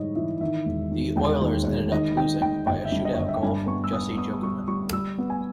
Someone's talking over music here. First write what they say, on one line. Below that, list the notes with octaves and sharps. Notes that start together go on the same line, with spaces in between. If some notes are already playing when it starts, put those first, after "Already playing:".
The Oilers ended up losing by a shootout goal from Jussi Jokinen.
Already playing: G#2 E3 G3 C#5 D#5
E3 E5
D#3 E5
E1
D#3
E1 G5
D#2
E1
D#3 D#5
D#3 G5
D#3 G5
G1 G5
E5
G2
D#5
C#5
G1 D#5
E5
G5
G2 G#5
B3 C#6
E6
B3 D#6
B3 D#6
G3 C#6
G3 C#6
G3 E6
B3
G#5